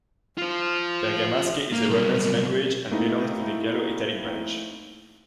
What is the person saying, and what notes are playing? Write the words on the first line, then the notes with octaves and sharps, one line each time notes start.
Bergamasque is a Romance language and belongs to the Gallo-Italic branch.
F4 C5
A#3
B1 G3 A#4
A3 A#3 C4 D#4 E4